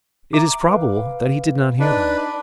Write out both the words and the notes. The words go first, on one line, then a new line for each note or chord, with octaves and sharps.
It is probable that he did not hear them.
E5 A#5 D6
B4 F5
D4 D#4 B4 D#5